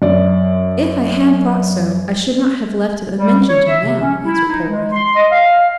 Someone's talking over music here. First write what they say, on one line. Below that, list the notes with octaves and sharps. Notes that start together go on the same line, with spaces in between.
"If I had thought so, I should not have left it unmentioned till now," answered Polwarth.
F#2 D5
G3
C#5
E5
C3
C#4
E4
D#4
G#3
C6
D#5
F5